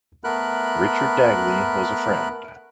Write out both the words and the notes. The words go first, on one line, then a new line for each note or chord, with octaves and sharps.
Richard Dagley was a friend.
A3 B3 A#4 B5 F#6